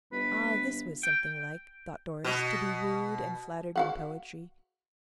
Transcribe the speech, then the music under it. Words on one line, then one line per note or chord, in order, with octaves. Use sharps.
Ah, this was something like, thought Doris, to be wooed and flattered in poetry.
G1 B4
G5
B2
F#4 F5 F#5